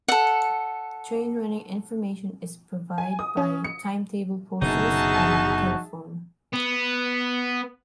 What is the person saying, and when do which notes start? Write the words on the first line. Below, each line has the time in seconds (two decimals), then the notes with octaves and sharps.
Train running information is provide by timetable posters and telephone.
0.08 A4 F#5
2.98 G#5
3.19 D#6
3.37 C#4
3.64 C#7
4.62 F#1 B2 D3 D#4 F#4 G#4 E5 A5
6.53 B3